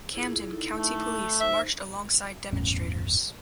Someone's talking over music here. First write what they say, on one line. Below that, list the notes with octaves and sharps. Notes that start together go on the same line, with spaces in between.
Camden County Police marched alongside demonstrators.
E4 F4 G#4
D#4 E4 A4
A3
D#4 C5 E5
G1 E2 A2 C#4